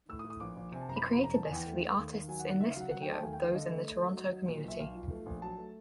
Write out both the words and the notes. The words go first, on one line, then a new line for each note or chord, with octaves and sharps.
He created this for the artists in this video those in the Toronto community.
A2 E6
D#6
A2
D#6
A#1 D6
A#1
C3 G#5
A5
F#1 A#5
B5
C3 C6
B5
F2 A#5
E2 A5
G#5
E2 G5
A3
A3
D#2
D#2
F#3 G#5
F#5
D#3
F#5
C#3 E5
F5
F#3 F#5
F#3 F#5
G5
A3
A5
G5
D#2 G#5
G5
A3
F5
D3 D#5
A3
A3
F#3
F#3
F#3
A#2
B1 E5
B1 F5
F3
A3
A#1
F#3 A5
A3